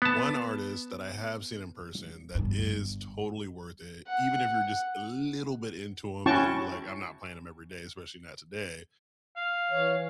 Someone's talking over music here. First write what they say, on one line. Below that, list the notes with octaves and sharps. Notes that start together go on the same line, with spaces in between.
one artist that I have seen in person that is totally worth it, even if you're just a little bit into him, but you're like, "I'm not playing him every day, especially not today,"
B3 A5
G1 G2
F#5
C#4 E4 F#4 G5 A5 C#6
F5
E3 C#5